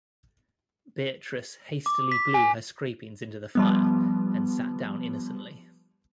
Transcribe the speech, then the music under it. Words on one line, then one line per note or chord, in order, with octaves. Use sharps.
Beatrice hastily blew her scrapings into the fire, and sat down innocently.
D6
B6
G#5
F3 G3 B3